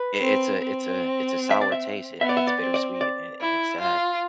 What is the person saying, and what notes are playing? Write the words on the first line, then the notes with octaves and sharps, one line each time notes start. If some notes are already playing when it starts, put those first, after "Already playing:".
i it's a it's a it's a sour taste. I it's bittersweet, and and and it's sad.
Already playing: B4
C4
C4
E5
D5
E5
B3 E5
D5
E5
D5
C4
D5
D5
E4
F4